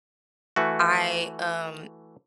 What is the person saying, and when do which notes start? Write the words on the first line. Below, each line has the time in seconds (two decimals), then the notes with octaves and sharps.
I, um,
0.56 E3 A3 F#4